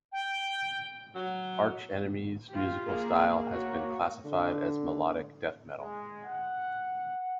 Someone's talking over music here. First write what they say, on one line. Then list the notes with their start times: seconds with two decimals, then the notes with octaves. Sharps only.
Arch Enemy's musical style has been classified as melodic death metal.
0.12 G5
1.15 F#3
2.50 F4 G4
2.86 A#3 G#4
3.49 F#4 C#5
4.25 D3
5.78 G#3
6.25 F#5